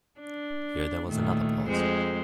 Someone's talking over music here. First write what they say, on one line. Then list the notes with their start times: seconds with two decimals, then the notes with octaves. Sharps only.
Here there was another pause.
0.20 D4
1.08 A#2 D#3 A3
1.67 F2 G#3 C5